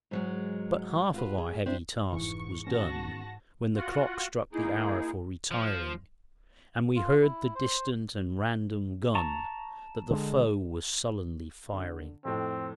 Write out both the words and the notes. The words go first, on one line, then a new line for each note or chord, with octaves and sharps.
But half of our heavy task was done When the clock struck the hour for retiring; And we heard the distant and random gun That the foe was sullenly firing.
G#2 F#3 G#3
F4 F#4 B4
G#4
C4 D4 E4
F1 G#2 E3 C#6
D#3 B3 C#4 F#4 A5 A#6
F4 F#4 F#5
A#3 D#4 E4 G#4
F3
F4
E4
C5
A5 A#5 C#6
D3 G#3
D3
F2 A2 C4